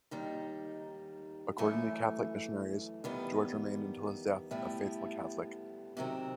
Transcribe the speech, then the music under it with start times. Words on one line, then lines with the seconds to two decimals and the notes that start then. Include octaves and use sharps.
According to Catholic missionaries George remained until his death a faithful Catholic.
0.11 D#2 D#3 G3 D#4
1.58 F#2 E3 A3
3.04 E2 D#3 G3 B3
4.51 A2 G3 B3 E4
5.97 C3 D#3 F#3 C4